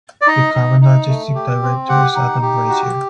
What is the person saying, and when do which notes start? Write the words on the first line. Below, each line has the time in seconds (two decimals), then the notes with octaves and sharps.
The current artistic director is Adam Brazier.
0.21 D5
0.27 D#4 D#5
0.54 D#4
0.81 D#4
1.08 A3
1.35 G4
1.62 C4
1.89 G4 F#5
2.15 D#4
2.42 G4
2.69 F#4